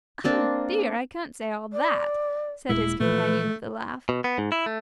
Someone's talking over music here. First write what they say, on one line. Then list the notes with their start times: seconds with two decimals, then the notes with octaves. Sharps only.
"Oh, dear, I can't say all that!" said his companion with a laugh.
0.24 A#3 C4 D4
1.73 D5
2.69 D#1 A#2 G#3 E4
3.00 A#2 E3 F3 A3 B4
4.09 B2
4.24 B3
4.38 G#2
4.52 E4
4.66 A3